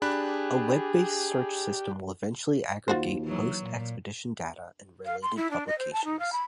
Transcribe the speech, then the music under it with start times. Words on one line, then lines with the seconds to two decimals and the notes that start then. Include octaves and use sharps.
A web-based search system will eventually aggregate post-expedition data and related publications.
0.02 D4 G4 G#4 B5 F#6
2.88 D#2 F4 F#4 C5
3.25 E3 F#3
3.63 A#2
5.05 F5
5.22 C6
5.36 E4
5.50 D4
5.67 D#5
5.78 C5
5.92 A5
6.04 D#4
6.19 F5
6.32 B5